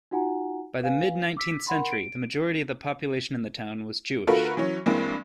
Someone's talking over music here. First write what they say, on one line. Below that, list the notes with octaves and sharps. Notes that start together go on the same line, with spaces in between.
By the mid-nineteenth century the majority of the population in the town was Jewish.
D#4 F4 F#4 F#5 G#5 A#5
B4 F5 G#5
D6 E6 B6
A#4 F#5 B5 C6
D7
D3 A3 F4 F#4 A#4 B4
E3 F#3 C#4
G2 E3 G#3 A#3 C4